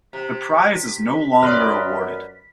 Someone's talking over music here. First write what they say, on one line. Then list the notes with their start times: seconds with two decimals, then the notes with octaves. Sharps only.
The prize is no longer awarded.
0.13 C3 B6
1.43 F#2 A#4 B4 D5 D#5 C6